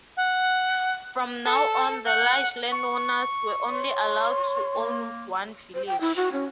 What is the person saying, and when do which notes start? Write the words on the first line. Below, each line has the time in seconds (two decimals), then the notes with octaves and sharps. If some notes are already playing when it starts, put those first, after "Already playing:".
From now on the large landowners were only allowed to own one village.
0.17 F#5
1.45 A4
2.06 F#5
2.73 C#6
3.71 C#5 C6
4.76 A#3
5.74 C5
5.87 G5
6.01 E4
6.16 F#4
6.32 C#4